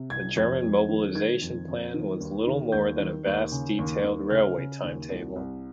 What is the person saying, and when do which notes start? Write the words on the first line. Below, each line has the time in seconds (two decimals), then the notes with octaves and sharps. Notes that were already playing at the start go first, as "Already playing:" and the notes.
The German mobilization plan was little more than a vast detailed railway timetable.
Already playing: C3
0.10 C2 G#6
0.36 F2 G#6
0.62 F2
0.88 D#3
1.15 D#3 G#6
1.42 F2
1.68 F2
1.94 D#3
2.20 D#2
2.47 D#3
2.72 D#2 G6
3.00 D#3
3.26 D#2
3.52 C#3
3.79 D#2
4.04 D#2
4.30 C#3 F6
4.57 C#3
4.83 D#2
5.09 C2
5.36 C2